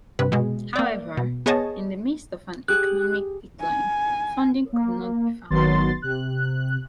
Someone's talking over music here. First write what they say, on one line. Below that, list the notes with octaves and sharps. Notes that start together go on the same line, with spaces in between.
However, in the midst of an economic decline, funding could not be found.
G2 C3 B4
B2 G#3
A#3 D5
B2
B3 G#4 C#5 D#5 A5
G4 G#4 F#6
G#5
A#3
G#1 D#3 F#3 B3 C6 A6
C3 F#6